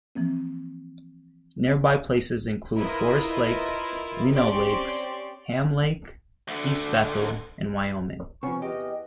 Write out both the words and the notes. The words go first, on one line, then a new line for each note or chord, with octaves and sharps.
Nearby places include Forest Lake, Lino Lakes, Ham Lake, East Bethel, and Wyoming.
E3 F3 A#3 C4
E4 F4 A#4 B4 D#5
C4 C#4 G4 D5 C6 C#6
D2 D3
C3 F3 B3 C#4 C#6
E2 G4 D#5